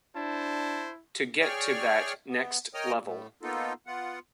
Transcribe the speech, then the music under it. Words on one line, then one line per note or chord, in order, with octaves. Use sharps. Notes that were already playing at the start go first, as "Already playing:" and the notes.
To get to that next level.
D4 E4 C5 A5
G#4 C#5 D5 G5 C#6 F6
B3
A#4 C#5 D#5 G5 D#6 F6
A2
A#3 B3 D#4 F4 A4
B3 F4 F#5